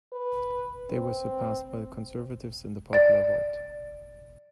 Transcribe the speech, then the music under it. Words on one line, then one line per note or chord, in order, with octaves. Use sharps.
They were surpassed by the Conservatives in the popular vote.
B4
C4
D5 A6